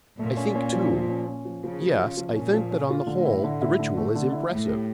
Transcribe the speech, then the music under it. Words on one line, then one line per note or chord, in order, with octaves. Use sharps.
I think too--yes, I think that on the whole the ritual is impressive.
A#2 A3
C#4
C#4
F3
F3
C#4
C#4
F3
C#3 F3
F3
F4
F3
A#2 C#4
F3
C#4
F4
A2 D3
E4
D3
E4
D3
A3
D3
E4
A2 E4
G4